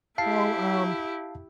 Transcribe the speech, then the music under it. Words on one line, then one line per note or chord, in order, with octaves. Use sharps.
Well, um,
E4 G4 F5 A5 C7